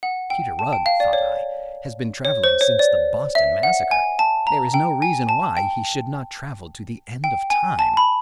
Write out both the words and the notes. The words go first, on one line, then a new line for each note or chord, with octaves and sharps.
If Peter Rugg, thought I, has been travelling since the Boston Massacre, there is no reason why he should not travel to the end of time.
F#5
G5
A5
G5
F5
D5
C#5
C#5
C5
C#5
D5
E5
F#5
G#5
A5
A#5
G5
G#5
A5
G5
G5
G#5
A5
B5